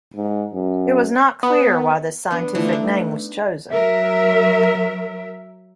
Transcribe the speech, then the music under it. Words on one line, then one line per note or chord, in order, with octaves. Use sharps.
It was not clear why this scientific name was chosen.
G#2
F#2
B3
B3 D4
D3 E3 F3 A3
D4 D#4
F#3 A#4 E5